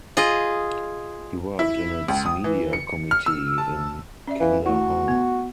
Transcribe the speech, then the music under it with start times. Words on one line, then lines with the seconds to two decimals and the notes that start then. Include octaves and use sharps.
He worked in its media committee in Kandahar.
0.17 F4 G#4 D#5
1.59 E4
2.08 C#2
2.26 D#6
2.44 E3
2.73 C#7
3.11 F6
3.26 E6
3.58 A5
4.28 C#4 D5 E5
4.40 E3 F5
4.66 A3 E4 F#4
5.08 B3